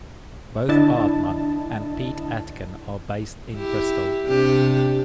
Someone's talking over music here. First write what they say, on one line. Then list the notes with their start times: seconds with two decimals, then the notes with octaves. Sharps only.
Both Aardman and Pete Atkin are based in Bristol.
0.69 D3 D4 E4 D#5 A5
3.55 E4 G4
4.27 C3 D4 G4